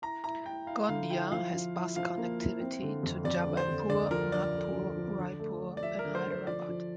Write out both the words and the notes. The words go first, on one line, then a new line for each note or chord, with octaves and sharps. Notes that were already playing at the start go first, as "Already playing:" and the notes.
Gondia has bus connectivity to Jabalpur, Nagpur, Raipur and Hyderabad.
E4 A#5
E4 A#5
E4 G5
E4 F5
D3 F5
E4 G5
F3 F5
F3
E4
F3 F5
A#3
E4
C4
D3
F2
F2 D5
D3
C5
F2
D2 D5
F3 A#4
D3 D5
D2
D3
F3
D3
A3
A3
D5
F3 E5
A#4
D3
C5
D3
C5
F3 D5
F3